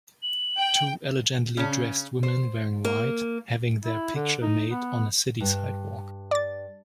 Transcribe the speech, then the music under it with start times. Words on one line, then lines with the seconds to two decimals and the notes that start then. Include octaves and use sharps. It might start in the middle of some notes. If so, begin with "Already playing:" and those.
Two elegantly dressed women wearing white having there picture made on a city sidewalk.
0.22 F#7
0.58 G5
1.57 C#3 C#4
2.23 C5
2.85 A#3
3.85 E4
4.15 D3
4.42 D#4
4.71 B3
5.40 G2
6.31 D5 A6